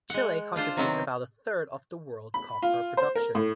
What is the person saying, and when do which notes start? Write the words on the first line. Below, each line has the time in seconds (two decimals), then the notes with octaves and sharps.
Chile contributes about a third of the world copper production.
0.10 G#3 F#5
0.56 D4 F4 C5
0.77 C3 D#3 F#3 B3 C4
2.34 B5
2.62 F4
2.97 C5
3.15 A#4
3.35 A2